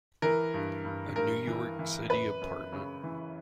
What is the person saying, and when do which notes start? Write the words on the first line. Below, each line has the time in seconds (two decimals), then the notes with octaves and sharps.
A New York City apartment.
0.22 E3 A#4
0.54 G2
0.85 G2
1.16 G2 A#4
1.47 E3
1.79 E3
2.10 F#2 B4
2.41 F#2
2.72 C#3
3.04 E3